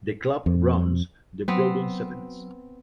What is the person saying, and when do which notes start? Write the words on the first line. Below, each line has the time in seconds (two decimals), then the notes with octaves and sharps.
The club runs the Broughton Sevens.
0.46 F2
1.48 F#3 B3 C4